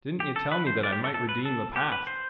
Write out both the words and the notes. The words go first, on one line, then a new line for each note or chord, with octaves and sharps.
Didn't ye tell me that I might redeem the past?
G4
A4
B4
C5
D5
G4
A4
A4
B4
A4
G4
B4
C5